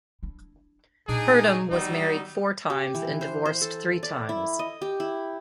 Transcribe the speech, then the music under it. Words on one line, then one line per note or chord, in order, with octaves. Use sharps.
Purdom was married four times and divorced three times.
D4 E4
A#2 D4 D#4 G#4
D#3 F#3 G3 B3 D#4
G4
E3
C5
C5
A4
D5
E4
D#5
G4
E4